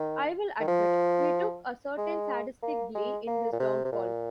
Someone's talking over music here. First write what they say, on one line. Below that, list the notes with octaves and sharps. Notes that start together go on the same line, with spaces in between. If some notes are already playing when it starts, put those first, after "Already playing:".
I'll admit, we took a certain sadistic glee in his downfall.
Already playing: D#3
D#3
F3
G#3
A#3
G#3
A#3
A#2
C3
C3
A#2